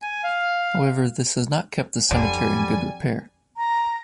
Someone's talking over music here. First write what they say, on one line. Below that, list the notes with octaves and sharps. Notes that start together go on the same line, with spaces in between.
However, this has not kept the cemetery in good repair.
G#5
F5
F2 D3 G3 G#5
A#5